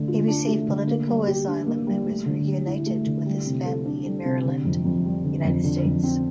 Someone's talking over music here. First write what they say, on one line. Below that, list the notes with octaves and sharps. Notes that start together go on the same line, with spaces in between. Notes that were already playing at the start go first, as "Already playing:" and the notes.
He received political asylum and was reunited with his family in Maryland, United States.
Already playing: D3 A3
F4
D4
A3
D3
A#3
G3
G4
D4
A#3
G3
A3
D3
G4
E4
A3
D3
G3
C3
A4
D4
G3
C3
D3
F2
F2
G3
D3
F2
D3
F2
C4